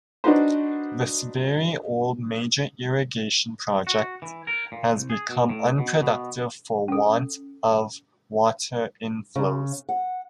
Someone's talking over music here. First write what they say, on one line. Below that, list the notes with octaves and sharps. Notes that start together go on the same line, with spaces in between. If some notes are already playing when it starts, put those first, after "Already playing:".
This very old major irrigation project has become unproductive for want of water inflows.
D4 D#4 F#4 B4 C5
F#4
E3
A#4
A#2
C2
G#4
B2
A2
B2
B2
C#4 A4
C#3
F#5